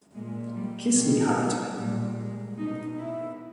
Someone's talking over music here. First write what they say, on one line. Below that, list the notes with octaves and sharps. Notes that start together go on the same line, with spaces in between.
Kiss me, Hareton!
A#2 G#3
G3
B2 G3
G3
A#2 G3
G#3
B2 D#4
E4